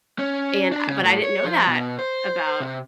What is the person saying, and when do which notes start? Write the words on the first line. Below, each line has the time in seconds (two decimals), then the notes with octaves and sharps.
and I but, I didn't know that about
0.19 C#4
0.72 D4
0.88 C#3
1.03 A2
1.24 C#5
1.45 F3
1.67 B2
1.99 C5
2.60 C3